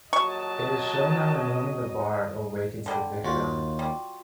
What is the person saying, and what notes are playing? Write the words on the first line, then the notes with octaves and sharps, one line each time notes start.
It is shown that removing the barb awakens the victim.
A#1 F#3 D#5 A5 C#6
D3 G3
D#2 F4 F#4
G3